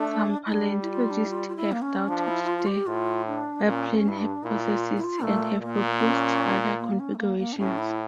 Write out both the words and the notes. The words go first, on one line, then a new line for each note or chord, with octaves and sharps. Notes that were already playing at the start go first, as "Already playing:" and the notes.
Some paleontologists have doubted the biplane hypothesis, and have proposed other configurations.
Already playing: A3 D4
E4
G3 D4
E4
F4
D4
E4
F4
F4
E4
A#3
C#4
F3 D4
E4
E4
F4
F4
G4
A2 F4
D4
A#2 C#4
C#4
G2 E4
D4
A#2 E4
F4
E4
F4
A#2 A3
A#2 A#3
A#3
C#4
A#3
C#4
A3
A#3
A#3
D4
A2 C#4
E4